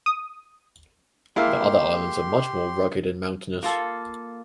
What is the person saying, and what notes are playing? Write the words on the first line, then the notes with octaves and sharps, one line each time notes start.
The other islands are much more rugged and mountainous.
D#6
G#3 A#3 E4 G4 F5 C6
A#3 F4 A4